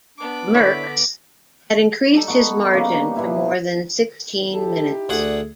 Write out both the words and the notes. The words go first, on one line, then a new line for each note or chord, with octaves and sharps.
Merckx had increased his margin to more than sixteen minutes.
B3 D4 D6
D3 D4 E4 C#5 B6
G3 D#4 A4
B3 F#4
C#3 G3 A#3
B2 E4
D#4 E4 G4 A4
D2 G#4 D5 F#5